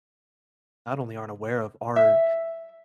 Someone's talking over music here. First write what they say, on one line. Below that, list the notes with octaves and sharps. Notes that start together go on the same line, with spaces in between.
not only aren't aware of are,
E5